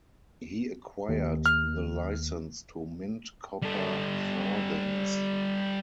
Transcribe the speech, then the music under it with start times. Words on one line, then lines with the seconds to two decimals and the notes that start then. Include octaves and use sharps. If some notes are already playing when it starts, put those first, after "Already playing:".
He acquired the licence to mint copper farthings.
1.09 D#2
1.46 F6
3.63 G3 A4